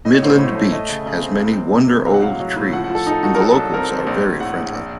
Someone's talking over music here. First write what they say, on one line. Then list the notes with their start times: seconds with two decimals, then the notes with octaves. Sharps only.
Midland beach has many wonder old tree's and the locals are very friendly.
0.05 A2 D#5
0.14 C#5
0.22 A1 C5
0.33 C#5
0.39 A2
0.55 A3
0.72 A3 D#5
0.89 C#3
1.06 C#3
1.23 C4
1.39 C#2
1.56 C#2
1.73 C3
1.90 C#2
2.06 F#3 F5
2.14 F#5
2.22 A2 F5
2.40 F#3
2.56 A2
2.73 F3 F#5
2.84 F#5
2.90 F3
2.95 A4
3.07 D#4 A4
3.23 D#4 F#4
3.35 A#4
3.40 F#3 A4
3.51 A4
3.57 C2
3.74 C4 A#4
3.90 C4
4.07 A#1
4.24 A#1
4.40 A2 F#5
4.57 A#1
4.74 A#1